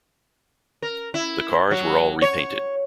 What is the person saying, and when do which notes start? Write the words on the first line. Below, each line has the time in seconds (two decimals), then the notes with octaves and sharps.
The cars were all repainted.
0.82 A#4
1.14 E4
1.71 F#3
2.22 C#5